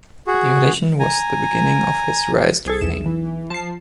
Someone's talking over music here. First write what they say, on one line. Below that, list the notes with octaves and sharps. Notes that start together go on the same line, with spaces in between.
The audition was the beginning of his rise to fame.
F#4 G#4
G#5 A#5
C2 G#4 A4
B1 E2 E7
E3
F3 A5 C7